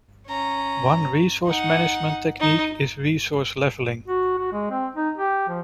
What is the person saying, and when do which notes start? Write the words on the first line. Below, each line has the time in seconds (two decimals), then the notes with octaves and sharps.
One resource management technique is resource leveling.
0.27 C#4 A#5
1.46 D#4 F#5
2.40 D#4
4.08 F#4
4.38 F#4
4.52 G#3
4.71 C4
4.96 D#4
5.18 G4
5.49 F3